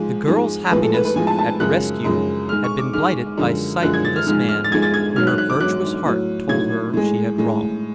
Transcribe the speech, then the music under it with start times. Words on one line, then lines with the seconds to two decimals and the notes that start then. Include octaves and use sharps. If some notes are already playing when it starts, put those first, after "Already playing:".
The girl's happiness at rescue had been blighted by sight of this man whom her virtuous heart told her she had wronged.
Already playing: G#2 F3 G#3
0.27 G#2 F3 G#3
0.71 A2 F3 G#3 B4
0.82 A4
0.94 B4
1.05 B4
1.16 A2 F3 G#3 G#5
1.27 A5
1.39 A5
1.60 F#2 C#3 F3 G#3 F#6
2.04 F#2 C#3 F3 G#3
2.49 G#2 G#3 F6
2.64 C#6
2.79 D6
2.93 G#2 G#3 F6
3.38 F#2 D3 F3 G#3
3.82 F#2 D3 F3 G#3 F#6
3.94 G#6
4.05 A6
4.16 F6
4.27 G#2 F3 G#3 F6
4.49 F6
4.64 A6
4.71 G#2 F3 G#3 G#6
4.82 A6
4.94 G#6
5.16 G#2 F#3 F6
5.27 F#6
5.38 F#6
5.50 D6
5.60 G#2 F#3 F#6
6.05 A2 F#3
6.49 A2 F#3 G#6
6.93 A2 G#3
7.38 A2 G#3